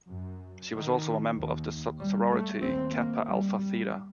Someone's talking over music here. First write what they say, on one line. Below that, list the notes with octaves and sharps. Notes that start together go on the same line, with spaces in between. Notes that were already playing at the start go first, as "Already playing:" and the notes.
She also was a member of the sorority Kappa Alpha Theta.
F#2
D#3
D#2
G3
A3
D#2 C4
A#3
G3